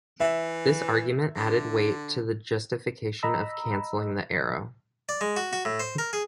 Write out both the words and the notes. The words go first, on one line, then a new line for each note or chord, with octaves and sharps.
This argument added weight to the justification of cancelling the Arrow.
E3 E5
D3
D#5 A#5 B5 E6
D5
G#3
F#4
F#4
A2
C5
A#4
G#4